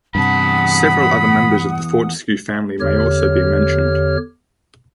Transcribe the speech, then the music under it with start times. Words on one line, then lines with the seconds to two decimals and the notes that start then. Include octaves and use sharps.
Several other members of the Fortescue family may also be mentioned.
0.15 E2 G2 C3 F#5 A5 B5 D#6
2.80 E2 D3 G4 C#5 F6